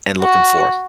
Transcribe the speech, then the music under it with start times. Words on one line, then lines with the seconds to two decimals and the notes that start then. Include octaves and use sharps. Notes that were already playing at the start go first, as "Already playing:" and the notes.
and looking for.
0.21 F#4